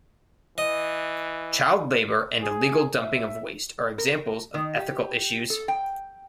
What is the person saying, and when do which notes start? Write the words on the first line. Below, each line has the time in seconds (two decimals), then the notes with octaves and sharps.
Child labour and illegal dumping of waste are examples of ethical issues.
0.58 E3 D#5
2.43 G#4
3.01 E5
3.98 A#4
4.54 D#3
4.76 G4
5.50 A4
5.68 G5